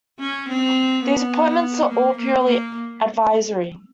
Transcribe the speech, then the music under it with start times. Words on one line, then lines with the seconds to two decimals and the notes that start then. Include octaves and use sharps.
These appointments are all purely advisory.
0.20 C#4
0.49 C4
1.04 B3
1.89 A#3
2.18 A#3
2.45 A#3